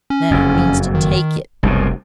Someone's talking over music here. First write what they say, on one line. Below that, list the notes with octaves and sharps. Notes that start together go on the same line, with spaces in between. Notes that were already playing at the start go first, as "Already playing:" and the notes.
"Then I means to take it."
C#4
F#1 F2
D#3
F1 C2 F#2 B2